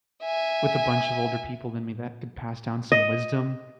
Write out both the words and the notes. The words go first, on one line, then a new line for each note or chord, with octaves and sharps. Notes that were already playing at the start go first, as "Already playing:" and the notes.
with a bunch of older people than me that could pass down some wisdom.
E5 G#5
D#5